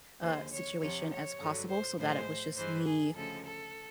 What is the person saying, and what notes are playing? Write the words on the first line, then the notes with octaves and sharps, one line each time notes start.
uh, situation as possible so that it was just me f
D#2 D3 F3 G#3 C5
C#5
F2 C3 F3 C#5
C#5
G2 D3 F#3
C5
A2 F3 G#3 C5
G2 E3 G#3 C5
G#4
D2 C#3 F3 G#3 A4
A4